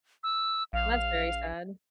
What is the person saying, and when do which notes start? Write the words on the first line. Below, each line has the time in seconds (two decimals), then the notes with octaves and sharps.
That's very sad.
0.23 E6
0.73 A#1 F5